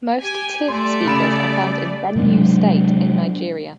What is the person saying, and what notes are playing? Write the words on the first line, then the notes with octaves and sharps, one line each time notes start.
Most Tiv speakers are found in Benue State in Nigeria.
G4 G#5
G3 A3 D5 C6
C#3 B5 E7
C3 F#3 G#3 D4